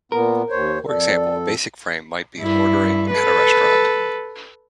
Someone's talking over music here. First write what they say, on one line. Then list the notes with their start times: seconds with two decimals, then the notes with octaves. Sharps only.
For example, a basic frame might be ordering at a restaurant.
0.12 A#2 B3 A#4
0.50 D#2 C5 C#5
0.87 F2 A4 D5
2.39 G2 E4
3.11 A4 B4